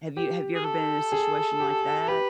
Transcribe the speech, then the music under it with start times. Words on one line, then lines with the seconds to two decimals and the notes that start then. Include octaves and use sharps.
Have you have you ever been in a situation like that?
0.17 G4
0.55 G#4
0.64 A4
1.12 G#4
1.60 G4
2.08 G4 B4